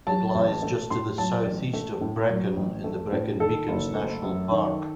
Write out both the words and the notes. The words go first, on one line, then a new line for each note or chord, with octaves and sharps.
It lies just to the southeast of Brecon in the Brecon Beacons National Park.
F#3 A5
A1
A3
A2 C6
F#3 A5
A1
A3
A2
F#3
A1
A3
A2
D#3 A4
F#1
A3
F#2
D#3